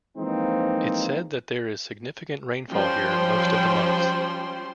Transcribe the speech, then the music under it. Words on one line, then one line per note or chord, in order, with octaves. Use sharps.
It said that there is significant rainfall here most of the months.
E3 F3 G#3 A#3 C4 D#4
F3 G3 C#4 C5 G5 C6